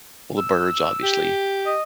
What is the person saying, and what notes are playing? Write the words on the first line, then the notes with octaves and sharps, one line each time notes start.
well the birds, obviously,
E6
G4
D#5